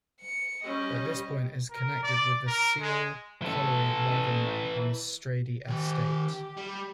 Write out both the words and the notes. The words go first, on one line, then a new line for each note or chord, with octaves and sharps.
At this point it connected with the Cille Colliery waggonway on the Stradey Estate.
C#7
G3 C#4 G4 D#5
A#4
D5
A#4
G#3
E3 A4
D#3 G4 G#5
G3